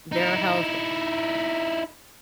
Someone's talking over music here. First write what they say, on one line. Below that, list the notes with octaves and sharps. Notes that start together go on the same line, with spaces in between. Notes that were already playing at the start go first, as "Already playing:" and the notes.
their health
D#4 E4